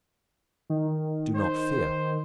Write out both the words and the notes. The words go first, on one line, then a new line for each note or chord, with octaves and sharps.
Do not fear.
D#3
C5